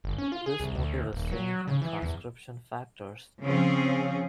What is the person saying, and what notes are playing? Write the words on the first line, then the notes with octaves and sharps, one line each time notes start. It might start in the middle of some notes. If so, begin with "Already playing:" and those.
This motif is seen in transcription factors.
G1
C#4
F4
G#4
C2
D2
D#1
F#3
C#3
E3
E2
C#3 F3 C4 C#4 F4 G#4